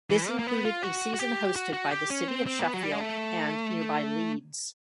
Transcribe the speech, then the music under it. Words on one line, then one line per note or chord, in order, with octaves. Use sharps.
This included a season hosted by the city of Sheffield and nearby Leeds.
E3
A#3
A#3
B3
F4
F#4
F#4
G4
F#4
F#4
G4
C#4
C4
C4
A#3
B3
F#3
G3
G#3
A3